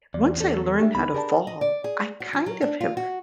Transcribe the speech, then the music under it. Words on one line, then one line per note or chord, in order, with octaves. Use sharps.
once I learned how to fall, I kind of have
E2 D5
C#4 A4
D4 G4 G#4 E5
C#2 B3 D#4 B5
D4 G4 G#4 A#4 D5 A5
D#5
D5
G#4
F#4
F3
F#3
D4
F4
F#4